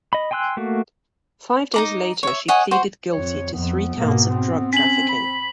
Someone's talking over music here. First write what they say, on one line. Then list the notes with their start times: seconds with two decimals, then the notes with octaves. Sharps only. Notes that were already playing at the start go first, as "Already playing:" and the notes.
Five days later she pleaded guilty to three counts of drug-trafficking.
0.13 D#5 B5
0.31 G5 G#5 C6 E6 F#6
0.57 A3 A#3 F#4
1.74 D#4 A#5 D6
2.23 C#5 E5
2.48 C#5 D#5 F#5 G#5
2.71 F#4 C5
3.12 F2 C#5
3.53 F2 B3
3.95 G#2 B2 A#3
4.32 C4
4.73 C#4 B6 F#7
5.09 B5